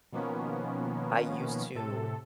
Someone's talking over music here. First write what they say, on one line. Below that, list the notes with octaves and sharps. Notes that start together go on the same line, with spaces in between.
I used to
B2 D#3 F3 A#3 B3 C#4
A2 C3 A4